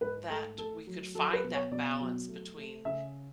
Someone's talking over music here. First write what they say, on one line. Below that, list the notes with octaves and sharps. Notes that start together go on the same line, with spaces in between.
that we could find that balance between
G#2 B4
A3 A4
A3 A4
F#3
F#3 A4
B4
B2
C#5
B2 D5
F#3
A3
A3
C#3 E5